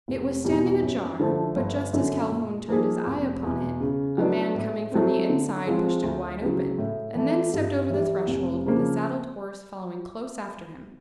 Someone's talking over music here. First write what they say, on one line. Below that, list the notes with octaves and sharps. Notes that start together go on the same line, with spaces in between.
It was standing ajar; but just as Calhoun turned his eye upon it, a man coming from the inside pushed it wide open; and then stepped over the threshold, with a saddled horse following close after him.
F1
E2 B2 G3
F#2
D3 F3 A3
G1
F#2 D3
A#2
F3 A#3 D#4 G#4
F1
E2 B2
C#3
F#3 B3 D4
A2
F#3 A3 C4
D3
F3 G#3 C4 F4
D2
C#3 F#3
A2
E3 A3
G2
E3 G3
F1
C#3 F3 A#3